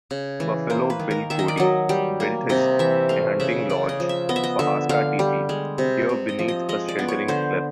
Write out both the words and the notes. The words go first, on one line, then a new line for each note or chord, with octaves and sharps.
Buffalo Bill Cody built his hunting lodge, Pahaska Teepee, here beneath a sheltering cliff.
C#3
E3
A#3 C5
B4
D#3
A#4
D#3 E5
D#5
D5
F#3 D#5
G3
A#3
C3 D#5
E3 E5
A3 F5
C#3 E5
C#3 D5
D#5
F3
E5
B3 D#5
E5
D#5
D3 E5
D3 F5
G3
G#3
C3
C3
D#5
F3
D#5
G#3 D#5
D5
B3
C#5
D3 C5